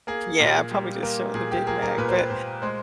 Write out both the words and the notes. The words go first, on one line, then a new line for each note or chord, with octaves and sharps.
Yeah, probably just showing the Big Mac, but
A#3 G#4
A#2
G3
A#3
A#2 G#4
G4
A#3 G#4
A#4
A#2 B4
C5
B4
A#2 C5
G#3 C5